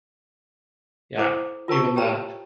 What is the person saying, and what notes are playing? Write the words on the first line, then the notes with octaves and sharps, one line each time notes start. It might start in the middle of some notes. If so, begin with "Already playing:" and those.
yeah, even the,
E4 A4 C5 G#5 D6
F4 A#4 C5 A5 A#5 C#6
G4 C#5 G5 A#5